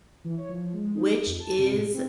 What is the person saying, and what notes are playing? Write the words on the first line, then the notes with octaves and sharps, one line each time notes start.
which is
E3
C#5
F3
G#3
D#4
F2
A5
C3
A2
C4